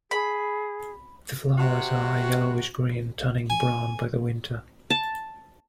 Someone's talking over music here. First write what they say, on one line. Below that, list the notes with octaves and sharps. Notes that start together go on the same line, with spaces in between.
The flowers are a yellowish-green, turning brown by the winter.
G#4 B5
C3 F#4
G#5
A5